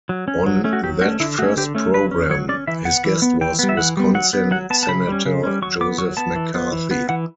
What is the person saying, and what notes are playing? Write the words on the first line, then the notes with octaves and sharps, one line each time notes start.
On that first program, his guest was Wisconsin senator Joseph McCarthy.
F#3
C#4
F#3
A3 C#4
F#4
F#3 G4
A3 C#4 F#4
D3 E4
A3 C#4 F#4
D3 G4
A3 C#4
F#3 B4
C#4
F#3 C#5
C#4 D5
E3 E5
B3 F#5
E3
B3
E3 G5
G3 B3
E5
E3 F#5
G3 B3
F#3 F#5
B3
F#3 F#5
B3 A5
A5
C#3 B5
G3 C#4
C#3
G3 C#4
F#3 C#6
B3 D6
F#3 C#6
B3 A5
E3
B3
E3
B3
E3 F#5